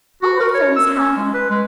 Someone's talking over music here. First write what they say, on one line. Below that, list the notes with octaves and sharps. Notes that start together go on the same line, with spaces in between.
All my friends have.
F#4
A#4
C#5
E6
C#4
G#3
B4
G#3